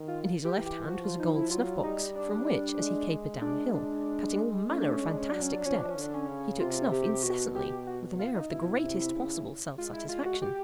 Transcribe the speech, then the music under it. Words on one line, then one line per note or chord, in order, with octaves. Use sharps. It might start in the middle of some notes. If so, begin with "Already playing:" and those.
In his left hand was a gold snuff-box, from which, as he capered down the hill, cutting all manner of fantastic steps, he took snuff incessantly with an air of the greatest possible self-satisfaction.
Already playing: D#3
F4
G4
E3
G4
F3 F#4
F4
D#4
E4
F#3 F4
G3 D#4
D4
G#3
G#3 D4
D4
A3 C#4
D4
C#4
G#3 D4
C#4
F#3 D4
C#4
D4
F3 C#4
D4
C#4
D3
D4
C#4
C#3
C3 F4
G4
G4
B2 F#4
G4
F#4
F4
D#4
B2 E4
C3
C#3
G#3 F4
E4
F4
F#4
G4